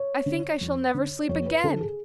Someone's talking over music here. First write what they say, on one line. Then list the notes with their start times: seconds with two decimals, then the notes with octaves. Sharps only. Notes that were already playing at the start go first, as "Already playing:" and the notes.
I think I shall never sleep again.
Already playing: C#5
0.26 D3
0.61 F2
0.94 D3
1.29 F2 C#5
1.46 B4
1.64 D3 A4
1.81 G#4